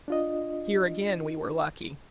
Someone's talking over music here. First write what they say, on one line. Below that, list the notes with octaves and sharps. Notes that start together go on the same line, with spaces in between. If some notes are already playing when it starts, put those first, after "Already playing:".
Here, again, we were lucky.
D4 F4 D#5